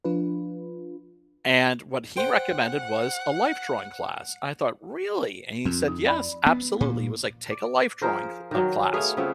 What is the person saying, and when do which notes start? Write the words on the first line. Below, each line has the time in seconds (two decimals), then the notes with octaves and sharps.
and what he recommended was a life drawing class, I thought, "Really?" and he said, "Yes, absolutely," he was like, "Take a life drawing cl uh, class,
0.05 F3 D4 F4 B4
2.17 C5 F#5 G5
5.65 F2 C4
5.88 D#4
6.05 D5 B5
6.46 B3
6.81 A#2
7.51 D5
8.02 F3 G#4 A#4 C5
8.51 D#3 F#3
8.93 A3 B3 G#4 F5
9.17 C#3 B3 C4 F4